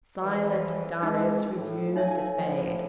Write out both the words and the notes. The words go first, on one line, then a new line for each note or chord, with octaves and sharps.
Silent, Darius resumed the spade.
F2 E3
F2 G#3 D#4
A2
D#4 A4 C#5 E5 F5 G#5
A2 F3